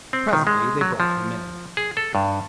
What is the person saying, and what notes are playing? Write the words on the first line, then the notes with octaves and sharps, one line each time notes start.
Presently they brought him in.
C4
D#3
G#3
F#3
F3
G#4
A4
G2